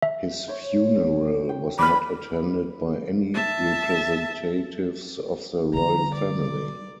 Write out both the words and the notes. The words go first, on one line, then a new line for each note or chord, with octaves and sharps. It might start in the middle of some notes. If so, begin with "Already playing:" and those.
His funeral was not attended by any representatives of the Royal Family.
E5
C5 C#5
G5
B4 D5 B5 D6 F6
E5 A5
D3 G3 A#5
D5